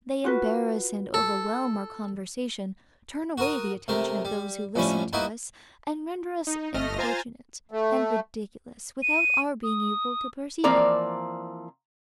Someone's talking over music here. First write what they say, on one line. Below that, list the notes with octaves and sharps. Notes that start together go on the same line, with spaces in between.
They embarrass and overwhelm our conversation, turn away the attention of those who listen to us, and render us importunate, and ridiculous, without our being able to perceive it.
F4 F#4 B4
A4
F#4 A#4 D#6
C3 A3 A#4
G3
F2 A2 G3 C#4 B5 C#6
A#3 B3 D#4 E4 F#4
D#4
G1 A3 D#5 F6 A#6
F4 C5 G#5 A#5 A6
A3
D#7
D#6
E3 F3 A#3 C4 D5 A#5